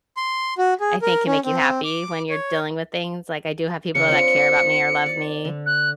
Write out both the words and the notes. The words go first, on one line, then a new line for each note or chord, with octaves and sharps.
I think, can make you happy when you're dealing with things. Like, I do have people that care about me or love me,
C6
F#4
G#4
A#4
C#4
C4
D6
C#5
C#3 D4 C#7
C4 F4
D5
D3
F#6